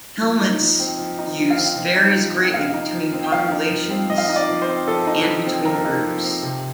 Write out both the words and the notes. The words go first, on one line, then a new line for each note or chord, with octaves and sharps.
Helmets use varies greatly between populations and between groups.
F3
D#4
F3
C4
F3
D#4
F3
F5
C4
F3
D#4
F3
C4
F3 F5
D#4
F3
C4
G5
F3 F5
D#4
F3
C4
F3 D#5
F5
D#4 D#5
D5
F3
C5
C4
F3 A4
D#4
F3
C4
F3 A#4
D#4
F3
C4
C3